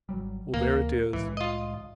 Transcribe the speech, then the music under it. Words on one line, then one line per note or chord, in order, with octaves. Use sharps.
Well, there it is.
G#1 F#3 G3
D2 C3 E3 A#3
C2 A2 E3 G#3
F4 D#5